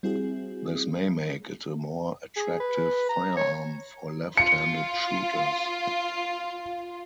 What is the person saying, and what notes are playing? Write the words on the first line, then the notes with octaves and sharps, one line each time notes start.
This may make it a more attractive firearm for left-handed shooters.
G3 C4 E4 F#4 G#4
G#4
B4
A#5
C#5
F4 C#7